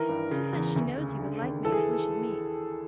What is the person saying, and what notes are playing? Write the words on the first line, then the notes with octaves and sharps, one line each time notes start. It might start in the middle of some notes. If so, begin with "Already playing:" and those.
She says she knows he would like me if we should meet.
Already playing: D#3 E3 A#4
G2
C#3
E2
D2
C#3
D3
D#2
E3 A4
G#4